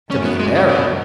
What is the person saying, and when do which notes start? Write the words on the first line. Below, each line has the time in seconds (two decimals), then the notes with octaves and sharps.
"To be a baron."
0.10 F#2 C#4
0.25 B3
0.40 G#3
0.55 C#3
0.68 C#3
0.77 B2